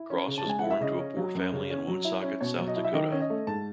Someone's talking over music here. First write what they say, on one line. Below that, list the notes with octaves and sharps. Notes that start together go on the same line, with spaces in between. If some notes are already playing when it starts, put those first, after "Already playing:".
Cross was born to a poor family in Woonsocket, South Dakota.
Already playing: E4
C#4
C#3
A5
G#3 G#5
E4 F#5
E5
C#3 D#5
C#4
F#3
F#2
C#3
C#4
F#3
E4
C#4
B2 C#5
F#3
D#5
E4
E5
D#3 D#5
C#4
D#5
A3
G#2 A5